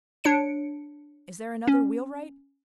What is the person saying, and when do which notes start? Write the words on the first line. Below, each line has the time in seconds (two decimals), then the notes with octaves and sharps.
"Is there another wheelwright?"
0.24 D4 C#5 C#7 D7
1.67 C#4